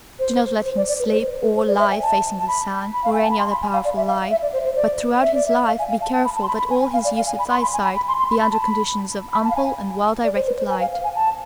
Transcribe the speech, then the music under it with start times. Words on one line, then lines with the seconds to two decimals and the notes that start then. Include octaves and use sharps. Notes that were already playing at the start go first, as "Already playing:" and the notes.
Do not let him sleep, or lie, facing the sun, or any other powerful light, but throughout his life be careful that all his use of eyesight be under conditions of ample and well-directed light.
0.19 C5
0.65 C5
0.77 D5
0.88 D5
0.99 B4
1.11 C5
1.41 B4
1.57 C5
1.68 D5
1.79 E5
1.91 G#5
2.03 A5
2.40 A5
2.48 B5
2.93 B5
3.04 F5
3.13 G#5
3.22 A5
3.30 B5
3.39 C6
3.51 B5
3.62 G#5
3.73 F5
3.85 D5
3.97 E5
4.08 F5
4.30 E5
4.42 D5
4.53 C5
4.65 C5
4.76 D5
5.22 E5
5.34 D5
5.46 E5
5.68 F5
5.79 G#5
5.91 F5
6.02 A5
6.13 A5
6.25 B5
6.36 A5
6.43 C6
6.48 B5
6.59 B5
6.70 G#5
6.81 G#5
6.93 F5
7.04 D5
7.16 F5
7.27 G#5
7.39 B5
7.50 C6
7.62 B5
7.73 G#5
7.84 B5
7.96 B5
8.08 C6
8.19 C6
8.30 B5
8.42 B5
8.51 A5
8.61 B5
9.33 B5
9.44 A5
9.50 F5
9.56 G#5
10.24 D5
10.36 C5
10.47 B4
10.59 C5
10.70 G#5
10.81 F5
10.93 F5
11.04 G#5
11.15 A5